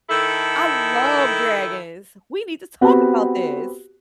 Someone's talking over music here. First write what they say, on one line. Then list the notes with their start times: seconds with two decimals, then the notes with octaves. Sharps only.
I love dragons. We need to talk about this.
0.09 D#3 E4 A4
2.81 B3 C4 F#4 G4 B4